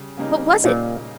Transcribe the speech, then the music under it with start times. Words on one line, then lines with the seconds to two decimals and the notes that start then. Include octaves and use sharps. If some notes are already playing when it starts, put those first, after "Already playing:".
What was it?
Already playing: C#3 G3
0.17 C#3 G3 A#3 D#4
0.64 A#2